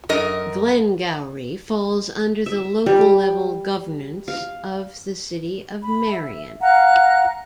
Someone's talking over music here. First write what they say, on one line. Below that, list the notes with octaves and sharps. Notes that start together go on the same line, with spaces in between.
Glengowrie falls under the local-level governance of the City of Marion.
F#2 A#4 D#5
E5
G3
F5
B5
E5
F5 F#5 A#5 F#6